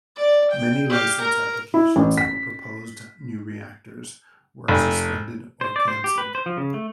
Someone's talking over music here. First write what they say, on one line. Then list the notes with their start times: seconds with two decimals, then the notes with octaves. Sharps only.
Many license applications for proposed new reactors were suspended or cancelled.
0.16 D5
0.51 G5
0.90 G4 F5
1.20 A#4 A#5
1.74 E4
1.96 A1
2.18 B6
4.68 F1
5.61 C5
5.76 D5
5.88 C5
6.04 G4
6.18 B4
6.35 C5
6.46 F3
6.57 C#3
6.74 A3